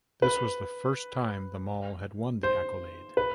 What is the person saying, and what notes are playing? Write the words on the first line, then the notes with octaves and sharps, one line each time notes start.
This was the first time the mall had won the accolade.
B4
C5
B4